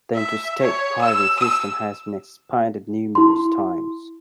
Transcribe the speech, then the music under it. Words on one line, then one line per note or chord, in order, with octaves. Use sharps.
The Interstate Highway system has been expanded numerous times.
E5
C#5
E6
E6
E4 C6